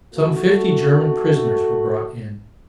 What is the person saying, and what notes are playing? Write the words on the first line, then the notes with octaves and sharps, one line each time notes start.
Some fifty German prisoners were brought in.
A3 F#4 A4